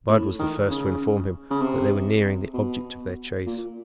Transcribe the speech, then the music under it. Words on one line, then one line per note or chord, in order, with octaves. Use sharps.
Bud was the first to inform him that they were nearing the object of their chase.
A2
D#3
C#3
C#3
C3
B2
A#2